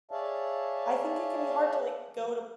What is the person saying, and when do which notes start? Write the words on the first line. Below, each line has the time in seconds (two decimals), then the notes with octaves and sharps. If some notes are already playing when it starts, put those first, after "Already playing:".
I think it can be hard to, like, go to
0.11 G#4 C#5 D5 E5 F5 A5